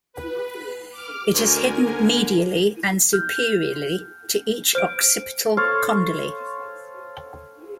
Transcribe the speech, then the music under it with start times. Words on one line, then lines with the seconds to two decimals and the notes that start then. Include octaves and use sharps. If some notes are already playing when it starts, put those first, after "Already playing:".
It is hidden medially and superiorly to each occipital condyle.
0.13 B4
0.91 D6 F6
1.34 D2 A#4 G#5
1.86 D3
3.13 F6 G6
4.75 C5 F6 D7
5.57 A4 C5 C#5 F5